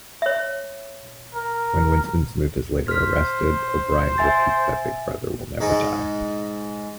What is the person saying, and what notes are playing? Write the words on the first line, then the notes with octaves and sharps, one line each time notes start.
When Winston Smith is later arrested, O'Brien repeats that Big Brother will never die.
C#5 E5
A#4
C5 F6 B6
E5 G#5 A6
G#2 G#3 D#4